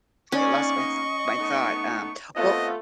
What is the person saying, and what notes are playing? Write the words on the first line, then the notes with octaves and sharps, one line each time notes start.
I lost my th my thought, um, well
A#3 B3 C#4 D#4 D5 C#6
D#5
A3 B3 D#4
A3 B3 C4 F4 D#5